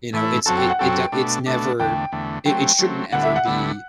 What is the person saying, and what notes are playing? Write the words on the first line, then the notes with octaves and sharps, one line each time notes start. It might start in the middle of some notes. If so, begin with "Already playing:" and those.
You know, it's it it d it's never it it shouldn't ever be,
A2 E3 A3 E4
F#2 F#3 C4 F#4 A4 A5
G5
F#5
F#2 F#3 C4 F#4 A4 G5
B2 A3 D4
B2 A3 D4
E2 D3 A3 G5
E2 D3 A3
F#3 A3 C4 G5
F#3 A3 C4
D2 D3 G3 B3 E4 F#5
E5
F#5
D2 D3 G3 B3 E4